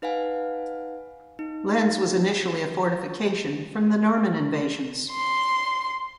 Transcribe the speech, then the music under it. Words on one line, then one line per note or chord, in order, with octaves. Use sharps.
Lens was initially a fortification from the Norman invasions.
D#4 B4 F5 F#5 G#5
D#4
C6